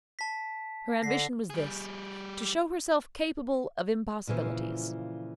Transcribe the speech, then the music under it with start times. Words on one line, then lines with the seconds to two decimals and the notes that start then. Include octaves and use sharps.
Her ambition was this--to show herself capable of impossibilities.
0.19 A5 B6
1.03 D3 A#6 C7
1.50 G3 G#4
4.27 A#2 C#3 E3 F3